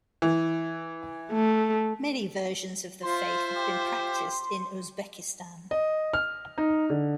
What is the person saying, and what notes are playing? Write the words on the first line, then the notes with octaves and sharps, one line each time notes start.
Many versions of the faith have been practiced in Uzbekistan.
E3
A3
F4 C5 E5 C6
G4
D#5
F6
D#4
D3